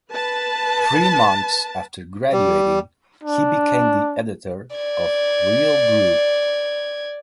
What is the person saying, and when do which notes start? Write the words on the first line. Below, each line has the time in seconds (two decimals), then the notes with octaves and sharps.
Three months after graduating he became the editor of "Real Groove".
0.11 B4 A5
2.32 G3
3.24 D4
4.76 D5 G#6